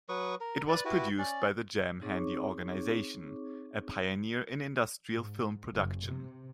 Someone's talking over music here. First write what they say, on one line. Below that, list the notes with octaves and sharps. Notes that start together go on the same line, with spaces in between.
It was produced by the Jam Handy Organization, a pioneer in industrial film production.
F#3 B4 C#6 D#6
A#4
B4 D5
E4 F#4 G4 B4
C#4 D5
C4 D#4 G#4 C#5 C#6 D6
G#2
F#1
C3